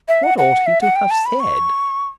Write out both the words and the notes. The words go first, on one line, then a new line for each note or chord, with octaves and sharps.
What ought he to have SAID?
E5
F#5
F#5
E5
F#5
G5
A5
B5
C#6